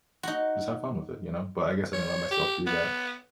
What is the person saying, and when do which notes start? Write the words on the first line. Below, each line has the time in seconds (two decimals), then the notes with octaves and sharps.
"Just have fun with it," you know, but I guess I didn't let myself do that.
0.23 D#4 F#4
1.93 C#5
2.31 G4
2.66 B3